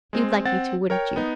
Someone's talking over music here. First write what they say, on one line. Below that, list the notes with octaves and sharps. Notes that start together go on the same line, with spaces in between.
You'd like me to, wouldn't you?'
G#3 C4
C4 F#5 A6
A#4 C#5 G5
B3 D#4